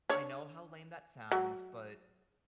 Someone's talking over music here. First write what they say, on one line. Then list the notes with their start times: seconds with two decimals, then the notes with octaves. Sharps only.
I know how lame that sounds, but
0.09 D4 C#5
1.32 F#3